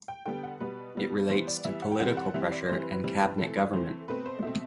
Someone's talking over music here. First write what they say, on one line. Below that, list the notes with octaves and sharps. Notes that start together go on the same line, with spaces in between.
It relates to political pressure and cabinet government.
G5
D3 G3 B3 G5
F#5
B2 G3 B3 B4
B2 G3 B3
E3 G3 B3 C5
D5
E3 G3 B3 E5
F#5
G5
E3 G3 C4 F#5
F#5
E3 G3 C4 E5
D5
E3 G3 C4 C5
B4
B4
E3 G3 C4
B4
E3 A3 C4 A4
B4
E3 A3 C4 C5
B2 A3 C4 B4
C5
B2 A3 C4 E5